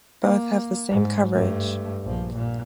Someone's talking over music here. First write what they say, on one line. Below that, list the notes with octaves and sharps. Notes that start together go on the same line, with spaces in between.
Both have the same coverage.
A#3
G#2
G2 A3
A#1 F3
A#2